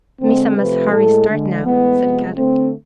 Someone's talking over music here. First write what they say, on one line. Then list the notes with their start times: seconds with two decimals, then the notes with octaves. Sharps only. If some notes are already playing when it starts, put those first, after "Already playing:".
"Missa must hurry start now," said Kadok.
0.21 D3 G#3 C4
0.57 C3 F3 A3 B4
0.93 A2 G#3 A4
1.29 D3 G#3
1.65 A2 E3 G#3 B3
2.01 C3 F3 G#3
2.36 D3 A3 C4